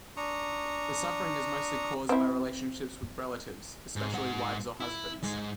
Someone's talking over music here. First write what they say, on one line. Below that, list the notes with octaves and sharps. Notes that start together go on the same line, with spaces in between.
The suffering is mostly caused by relationships with relatives, especially wives or husbands.
D4 A#5 C#6 D#6
C4 E4
G#2
G#2 F#5
E4
G#2 G#3